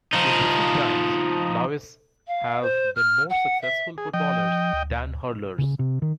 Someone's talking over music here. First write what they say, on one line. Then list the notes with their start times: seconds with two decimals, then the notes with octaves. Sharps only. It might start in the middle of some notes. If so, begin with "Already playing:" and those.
In recent times Laois have been more successful footballers than hurlers.
0.13 F3 D#4
2.27 F5
2.62 C5
2.96 F6
3.30 F#5
3.62 E5
3.98 G#4
4.14 F3 D#5 G5
4.73 D2
5.58 C#3
5.79 C3
6.02 D#3